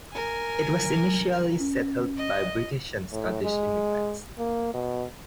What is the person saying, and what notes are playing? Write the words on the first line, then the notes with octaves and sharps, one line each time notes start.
It was initially settled by British and Scottish immigrants.
A#4 G#5
C#4
D#5
A2
G#3
A#3
B2